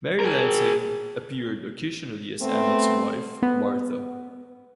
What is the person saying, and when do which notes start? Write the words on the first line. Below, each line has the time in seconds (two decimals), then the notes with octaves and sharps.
Mary Lansing appeared occasionally as Emmett's wife, Martha.
0.20 G#4 A#4
2.41 A3 B3 C4
3.42 B3